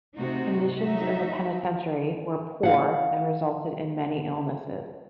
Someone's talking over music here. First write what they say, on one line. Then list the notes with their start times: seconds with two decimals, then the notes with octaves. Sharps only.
Conditions in the penitentiary were poor and resulted in many illnesses.
0.17 C3 A3 D#4 F#4
0.79 F#3 D#4 F#4 E5
2.63 F5 F#5